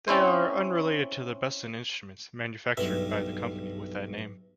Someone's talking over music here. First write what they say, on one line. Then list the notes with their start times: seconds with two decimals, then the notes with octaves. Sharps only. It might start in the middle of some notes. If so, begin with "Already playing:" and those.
They are unrelated to the Besson instruments manufactured by the company with that name.
0.08 C4 C#4 E4 C5
2.77 B1 G2 E5